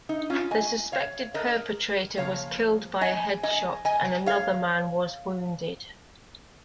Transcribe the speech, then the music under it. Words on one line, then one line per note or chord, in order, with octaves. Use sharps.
The suspected perpetrator was killed by a headshot and another man was wounded.
D#4
C#4 F4
D#5 G#5
C#5 F5
A#4 D#5
C#3 F3 A#3 C#5 F5
D#5 G#5
D#5 G#5
D#5 G#5
C#5 F5